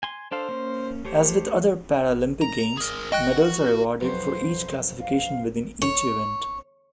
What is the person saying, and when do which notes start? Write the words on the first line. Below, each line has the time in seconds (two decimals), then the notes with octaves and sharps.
As with other Paralympic Games, medals are awarded for each classification within each event.
0.03 G#5 C6
0.32 D4 A4 C5 F5
0.49 A#3 C#4
1.05 A3 G4 C5 C#5
2.42 A#5
2.77 G#4 A#4
3.12 F#4 D#5 G5 F#6
4.00 B1 F2 C5
5.00 F5
5.82 C#5